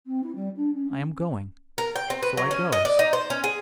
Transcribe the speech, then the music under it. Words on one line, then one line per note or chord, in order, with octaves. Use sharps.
I am going.' So I goes.
C4
E4
G3
D4
C#4
C#4
A#4
G5
C4
B4
F#3
C#4
D#5
D5
D#4
C5
C#4
G#4